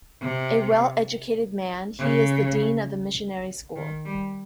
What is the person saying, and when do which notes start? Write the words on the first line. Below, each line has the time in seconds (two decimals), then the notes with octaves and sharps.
A well-educated man, he is the dean of the missionary school.
0.22 C3
1.99 C#3
3.76 D#3
4.05 G3